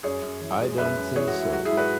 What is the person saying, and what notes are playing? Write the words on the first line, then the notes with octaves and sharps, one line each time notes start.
I don't think so.
F#2 G#4 C#5
F#2
E3
G#3
F#2 B4 E5
F#2
E3 G#4 C#5
F#4
G#3
E4
F#3 F#4
E4 G#4
G#2
F#4 B4